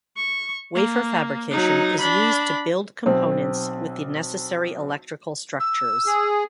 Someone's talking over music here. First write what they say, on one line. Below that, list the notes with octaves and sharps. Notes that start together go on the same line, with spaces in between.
Wafer fabrication is used to build components with the necessary electrical structures.
C#6
A#3
F#3 D#4
D4 B5
B1 C4 C5
E6
G#4